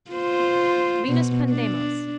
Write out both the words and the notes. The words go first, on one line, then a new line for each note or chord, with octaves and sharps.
Venus Pandemos.
F4 C5
B2
D4